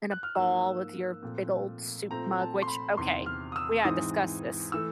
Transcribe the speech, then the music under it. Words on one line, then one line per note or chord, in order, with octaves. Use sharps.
in a ball with your big old soup mug, which okay, we gotta discuss this.
F#6
F6
G#2 F3 A#3 E6
A#2 F3 A3 C4
A#2 F3 A3 C4 A#5
A5
C6
B5
E2 C3 D#3 C6
F6
D#6
E6
G#2 E3 G#3 C4 D#6
E3 A3 E6